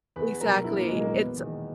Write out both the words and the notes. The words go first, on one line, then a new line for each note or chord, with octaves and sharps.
Exactly. It's, uh
E2 B4
B2 F#3 A#4
A#1 E4
A#3
A#2 F#3 G#3
A#3
E1 B3
E2 D#3